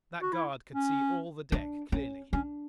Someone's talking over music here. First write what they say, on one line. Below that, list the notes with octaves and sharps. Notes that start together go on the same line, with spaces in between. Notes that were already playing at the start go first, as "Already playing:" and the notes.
That guard could see all the deck clearly.
F#4
E4
C#4
D4
C#4
C#4 D4